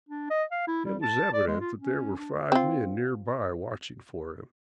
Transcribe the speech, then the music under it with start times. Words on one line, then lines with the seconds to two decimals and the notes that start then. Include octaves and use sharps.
It was evident that there were five men near by watching for him.
0.09 D4
0.30 D#5
0.52 F5
0.67 E4
0.85 G3
1.02 A5
1.33 D5
1.47 G#3
1.60 F4
1.78 C#4
2.18 D4
2.52 C4 F4